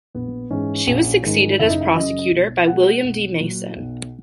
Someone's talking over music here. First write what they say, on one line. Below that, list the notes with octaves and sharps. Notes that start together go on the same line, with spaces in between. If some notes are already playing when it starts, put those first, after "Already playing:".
She was succeeded as prosecutor by William D. Mason.
A#1 B3
G#2 E3 G#3 C#4
A#1
G#2 D#3 G#3
F#1 E4
D#4
E4
F#2 C#3 F#3 D#5
B1
B2 G#3 F#5
B1
A#2 F#3
B1